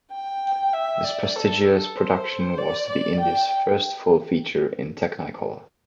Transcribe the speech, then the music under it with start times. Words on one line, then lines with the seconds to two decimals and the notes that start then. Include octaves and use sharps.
This prestigious production was to be India's first full feature in Technicolor.
0.12 G5
0.73 E5
1.05 D5
1.36 A4
1.65 A4
1.97 C5
2.58 D5
2.89 D5
3.20 G5